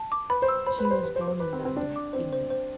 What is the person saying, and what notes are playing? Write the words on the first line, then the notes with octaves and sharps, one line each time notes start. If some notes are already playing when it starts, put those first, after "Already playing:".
She was born in London, England.
Already playing: A5
D6
B4 B5
C5
E6
C5 B5
B4
B5
C5
G4 B4
C5
D6
C5
B4 D6
C4
G4
C4
D4 G5
D6
C4 C5
C5
C5